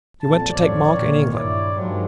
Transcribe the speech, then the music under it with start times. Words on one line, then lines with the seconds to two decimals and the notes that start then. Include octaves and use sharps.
"You went to take Monk in England?"
0.21 F2 A#2 A5
0.51 A1 F2 C#5 D5
0.92 A#2 D#3
1.34 G2 E4 C#5 D5
1.74 G2 D#3 F3 F#3 G#3